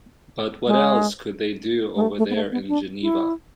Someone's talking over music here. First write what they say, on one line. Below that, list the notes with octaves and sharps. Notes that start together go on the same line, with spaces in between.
But what else could they do over there in Geneva?
G#3
G#3
A3
A3
B3
A3
B3
D4
E4